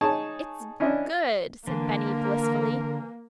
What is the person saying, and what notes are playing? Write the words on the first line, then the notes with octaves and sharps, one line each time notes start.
"It's good," said Benny blissfully.
D#4 G#4 C#5 A5
C#4 D4 E4 D#5
D3 E3 A#3 A#4